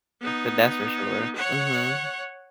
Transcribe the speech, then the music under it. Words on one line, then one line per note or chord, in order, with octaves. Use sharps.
So that's for sure. Mhm.
B3 D#4
C#5 F#5